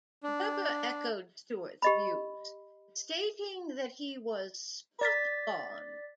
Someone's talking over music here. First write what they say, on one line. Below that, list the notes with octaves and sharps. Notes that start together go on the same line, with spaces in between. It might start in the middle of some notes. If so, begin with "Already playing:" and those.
Webber echoed Stewart's views, stating that he was "spot on".
D4
G4 D#5 B5
D5 A6 B6